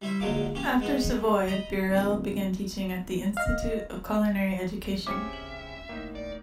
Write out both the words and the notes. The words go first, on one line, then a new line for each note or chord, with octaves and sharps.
After Savoy, Burrell began teaching at the Institute of Culinary Education.
G3 E4 C5 E5
A#1 D3 F#3 G#3 A#3 D6
A#3 C#4 G4
G#3 B3 D#4
D#5 A#5 B5
D1
D#5 F5
C#3 C4 C#4 G4 G#4 E5 D6 C#7
F#7
A2 A#3 D#4
D5